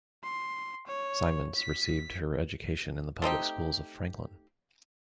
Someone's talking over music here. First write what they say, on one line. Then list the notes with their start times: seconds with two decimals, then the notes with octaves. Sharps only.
Simonds received her education in the public schools of Franklin.
0.23 C6
0.87 C#5
1.57 B6
3.22 A3 C4 D#4 G4